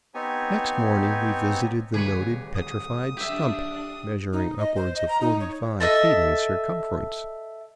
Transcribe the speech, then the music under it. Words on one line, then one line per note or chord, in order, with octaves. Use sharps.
Next morning we visited the noted petrified stump, measuring upwards of forty-five feet in circumference.
B3 C4 D#4 G4 C#5 G#5
D#1 D2 G#4 B4 C#5 D6
D#6
D4 G4 E5
D#4
D#5
C5
D#5
A#5
D#4
C#5
A4 D#5 E5